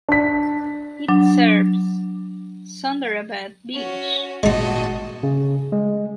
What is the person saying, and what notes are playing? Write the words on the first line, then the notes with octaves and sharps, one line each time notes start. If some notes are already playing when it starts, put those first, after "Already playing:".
It serves Sunderabad village.
D4 B6
F#3 D4
C#4 F#4
G#1 A#2 G#3 D#4 F#4 D#5 A5
C#3
G#3